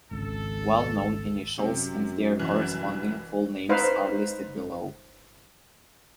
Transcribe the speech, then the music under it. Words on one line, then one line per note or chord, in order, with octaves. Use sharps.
Well-known initials and their corresponding full names are listed below.
G#1 C#2 A4
F#2 C3
C2 E3
D#4 B4 C5 F5